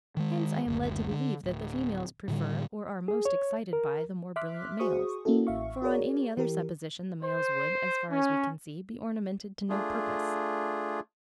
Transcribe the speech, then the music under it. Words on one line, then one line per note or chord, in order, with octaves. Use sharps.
Hence I am led to believe that the females prefer or are most excited by the more brilliant males; for on any other supposition the males would, as far as we can see, be ornamented to no purpose.
D#3 G#3
F#1 D2
D3
D1
A2 D3 G3
G#4
C#5
A#4
E5 C6 D6 F6 F#6 B6
F#4 G#4 C5 C#6 D#6
A#3 C#4 E4 F#4 A4
A1 E5 F5 C#6
F#4 G#4 A#4 C#5 D5
E3 G4 A#4
C5
C#4
A3 D4 F4 G#4